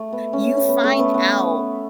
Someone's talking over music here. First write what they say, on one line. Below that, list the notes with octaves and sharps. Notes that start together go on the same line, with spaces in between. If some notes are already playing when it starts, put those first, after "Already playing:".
you find out
Already playing: A3
B3
C#4
B3
A3
B3
B3